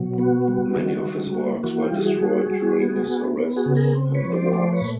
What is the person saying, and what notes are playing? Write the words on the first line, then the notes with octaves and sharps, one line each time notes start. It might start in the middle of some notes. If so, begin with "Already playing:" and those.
Many of his works were destroyed during his arrests and the wars.
Already playing: B2 F#3
B3 F#4
G3
D#3
G3
A#3
E3 F#4
F4 G4
G3
F#4 G#4
G3
G3
B3
B3
B3
F#4 G#4
C#3
G#4 A#4
C4
B4 C#5
F3
C5 D5
A3 C5 D5
B4 C#5
A#2